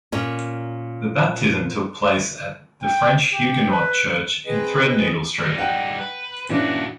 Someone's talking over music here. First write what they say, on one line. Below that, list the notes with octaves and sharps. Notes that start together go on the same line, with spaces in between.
The baptism took place at the French Huguenot church in Threadneedle Street.
A#2 C#4
G5
G4
B4
C4 G#4 B4 D#5
G3 D#4
F#5 G5
B4
A#2 E3 C#4 D4 F#4